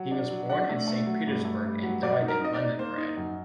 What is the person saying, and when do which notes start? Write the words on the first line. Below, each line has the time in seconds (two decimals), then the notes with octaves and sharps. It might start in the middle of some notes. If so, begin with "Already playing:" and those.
He was born in Saint Petersburg and died in Leningrad.
Already playing: F#3
0.11 D4
0.30 F#3
0.50 D4 F#5
0.69 A3
0.88 A3
1.07 F#3
1.27 G2
1.45 A3
1.64 G2
1.83 F#3
2.03 F#3 D5
2.22 D#4
2.28 A#4
2.41 D#4 D#5
2.54 D5
2.60 D#4
2.79 A#3 C5
2.98 D#4
3.17 F#2